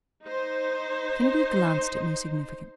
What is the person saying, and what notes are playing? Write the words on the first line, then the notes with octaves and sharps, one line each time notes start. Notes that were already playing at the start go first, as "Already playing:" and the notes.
Kennedy glanced at me significantly.
D#4 C5